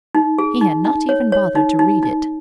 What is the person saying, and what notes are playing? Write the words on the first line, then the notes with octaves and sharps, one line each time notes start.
He had not even bothered to read it.
D#4
G#4
D#4
D#4
C#5
C#5
D#4
D#4
D#4